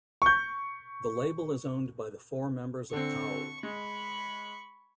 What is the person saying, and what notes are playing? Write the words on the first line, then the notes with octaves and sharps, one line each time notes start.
The label is owned by the four members of Thau.
C#6 G6
D3 C4 C#6
G#3 B5 C#6